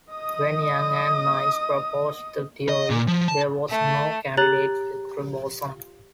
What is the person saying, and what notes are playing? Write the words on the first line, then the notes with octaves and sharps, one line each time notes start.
When Yang and Mills proposed the theory, there was no candidate vector boson.
D#5 D#6
D#5
A#2
F3
A5
A3
G4 C#5 A#5 F#6 A6 F#7